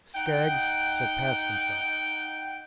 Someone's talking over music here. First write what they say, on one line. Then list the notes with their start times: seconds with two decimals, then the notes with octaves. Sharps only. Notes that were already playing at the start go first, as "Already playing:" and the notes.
Skaggs surpassed himself.
0.15 D#4 F#5 G5